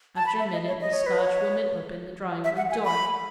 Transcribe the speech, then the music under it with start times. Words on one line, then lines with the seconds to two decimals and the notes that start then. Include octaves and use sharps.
After a minute the Scotchwoman opened the drawing-room door.
0.16 A5
0.26 B5
0.39 E5
0.53 D#5
0.67 C#5
0.81 D#5
0.93 C#5
1.06 B4
1.19 C#5
2.44 E5
2.57 F#5
2.71 G#5
2.84 B5